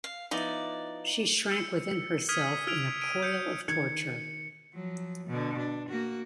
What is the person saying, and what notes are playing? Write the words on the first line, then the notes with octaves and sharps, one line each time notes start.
She shrank within herself in a coil of torture.
F5
F3 B3 D#4 E4 D5
E6 C#7
D#6 F6 G#6 B6 D#7
E6 F6 G#6 D7 F7
D7 D#7
G6 C#7
D#3 G#6 C#7
F3 F#3
B2 D3
D4
A#3 F#4